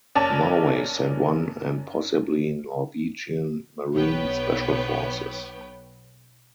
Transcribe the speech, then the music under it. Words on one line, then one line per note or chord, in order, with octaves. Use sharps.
Norway sent one and possibly Norwegian marine special forces.
F#1 C#4 D5 A5
B1 B3 B4 C#5 G5